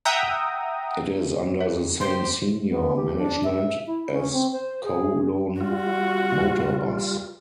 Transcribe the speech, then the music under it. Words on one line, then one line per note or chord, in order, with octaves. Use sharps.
It is under the same senior management as Kowloon Motor Bus.
E5 F#5 G5 A#5 D#6
A#4 E5
G4 C5 C6
B3
G4
D4
E5
E4
C#4
C4
C5
G#4
G3 F4 F#4